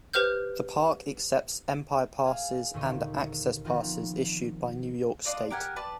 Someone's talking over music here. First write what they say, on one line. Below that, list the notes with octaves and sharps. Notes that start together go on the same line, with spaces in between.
The park accepts Empire Passes and Access Passes issued by New York State.
G4 B4 C5 F6 G6
G#4 F5
D#2 A#2 D3 C5 C#5 D#5
D#3 F3 B3 C4 D#4 F4
D4 F4 D5 D#5
G4 A#4 F#5 G#5
B4 D5 A5